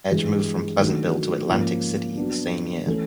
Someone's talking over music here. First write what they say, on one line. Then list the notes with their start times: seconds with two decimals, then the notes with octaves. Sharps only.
Edge moved from Pleasantville to Atlantic City the same year.
0.11 G2 E3 G#3
0.79 D#3 F#3 A3 D4 F#4
1.48 G#2 F3 A#3 C#4 F4
2.17 F#3 B3 D4
2.86 E3 A3 C#4 E4 A4